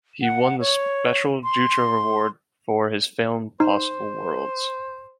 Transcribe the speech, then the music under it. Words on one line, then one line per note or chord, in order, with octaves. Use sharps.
He won the Special Jutra Award for his film "Possible Worlds".
F#5
C#5
C6
D#4 C5